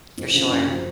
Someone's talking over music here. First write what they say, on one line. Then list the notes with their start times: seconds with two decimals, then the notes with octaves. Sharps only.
For sure.
0.17 F2
0.34 C#3 F3
0.50 F#2
0.66 C#3 F3